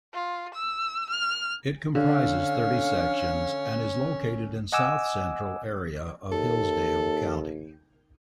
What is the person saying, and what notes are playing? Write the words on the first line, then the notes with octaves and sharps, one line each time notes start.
It comprises thirty sections and is located in south-central area of Hillsdale County.
F4
E6
F6
D3 C#4 F5
D#5 F#5 G#5 D6 E6
D#2 A4